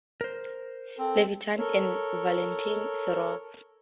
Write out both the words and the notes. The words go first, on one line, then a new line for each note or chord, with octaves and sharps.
Levitan, and Valentin Serov.
A#4 C5
C4 A4
A4 A#4 C#5